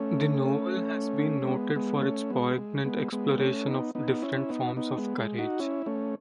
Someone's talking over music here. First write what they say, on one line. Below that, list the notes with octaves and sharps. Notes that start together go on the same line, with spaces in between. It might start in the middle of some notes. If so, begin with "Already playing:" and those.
The novel has been noted for its poignant exploration of different forms of courage.
Already playing: A3 C#4
A3
G#3 B3
G#3 B3
A3 C#4
G#3 B3
G#3
G#3 B3
G#3 B3
A3 C#4
B3 D#4
B3 D#4
C#4 E4
B3 D#4
B3 D#4
G#3 B3
G#3
D#4 F#4
C#4 E4
A3 C#4